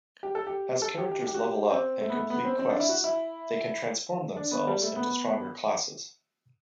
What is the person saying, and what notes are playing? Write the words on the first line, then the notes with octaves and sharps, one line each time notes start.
As characters level up and complete quests, they can transform themselves into stronger classes.
G4
A4
G4
A4
G4
G4
G4
F#4
G4
C4
A3
B3
A3
B3
C4
C4
D4
E4
F#4
E4
D4
B3
G3
A3
B3